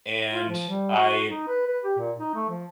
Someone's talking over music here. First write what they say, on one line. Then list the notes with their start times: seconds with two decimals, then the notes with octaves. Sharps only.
and I
0.32 F4
0.49 F3
0.69 G3
0.96 F#4
1.29 D#4
1.47 B4
1.67 B4
1.84 G4
1.98 A#2
2.19 D#4
2.35 A3
2.49 F3